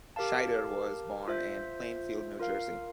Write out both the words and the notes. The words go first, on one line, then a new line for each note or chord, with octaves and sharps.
Shider was born in Plainfield, New Jersey.
G4 A#4 F5 A5
F4 C5 E5
F4 A#4 F5